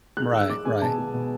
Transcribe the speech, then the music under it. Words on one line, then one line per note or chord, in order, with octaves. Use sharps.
Right, right.
G#3 F#6
G#3 E6
G#3 D6
G#3 G#5
B2 A5
G#3
B2